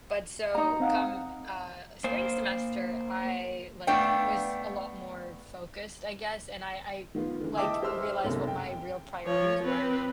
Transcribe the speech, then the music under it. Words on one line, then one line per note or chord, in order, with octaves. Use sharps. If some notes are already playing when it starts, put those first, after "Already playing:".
but so, come, uh, spring semester, I like, was a lot more focused, I guess, and I I, like, realized what my real priorities were,
D#4 A#5
C4 F5 F#5
A#3 C5
A3 B3 D4 F5 G5
D#3 B3 F4
D3 E3
D#5 E5 G5 A5 D6 E6
G4 C5 E5 E6 F6
B1 F#2 C3
G5
F3 C#5
C4 B4